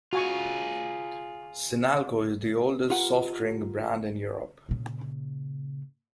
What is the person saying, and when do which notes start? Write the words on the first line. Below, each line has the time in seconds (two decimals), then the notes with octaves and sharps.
Sinalco is the oldest soft drink brand in Europe.
0.13 F4 F#4 G#4 G#5 C#6
2.90 F4 G4 A#4 B4 F#5
4.69 A#2 C#3